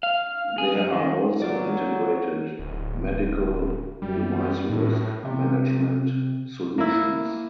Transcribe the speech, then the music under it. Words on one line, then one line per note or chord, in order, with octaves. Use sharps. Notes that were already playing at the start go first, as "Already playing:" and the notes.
There are also integrated medical device risk management solutions.
F5
G#4
F#2
D#3
F#3 F4 D5
D1
F#2 G3
A2 A3
C3 E5
A#3 E4